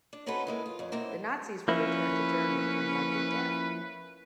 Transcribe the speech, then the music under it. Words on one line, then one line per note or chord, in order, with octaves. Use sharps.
The Nazis will return to Germany and likely death.
D4
C4 C#4 D#4 F#4 A4 B4
E3 G#3 A#3
F4
F2 C#4
F#2 B2 E3 A#3 C5
F3 A#3 C#4 E4 B4